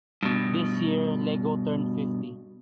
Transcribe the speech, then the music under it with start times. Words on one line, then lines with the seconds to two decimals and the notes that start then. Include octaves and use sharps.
This year, Lego turned fifty.
0.23 G2 B2